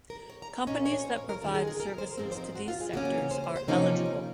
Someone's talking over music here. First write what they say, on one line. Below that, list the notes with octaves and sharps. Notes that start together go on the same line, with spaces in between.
Companies that provide services to these sectors are eligible.
A#4
C#5
A#5
A#2 F#3 A#3 C#4 D#5
C#5
C5
A#4
A#4
D#2 D#3 G#3 F4
G#4
A#4
A#4
C5
G#2 F3 C4 A#4
C5
A#4
F#4
F4
G#4
C#3 F#3 A#3 C#4 F#4
F4
A#4
C5
C#5
C5
C3 F3 A#3 C#4 D#4
D#4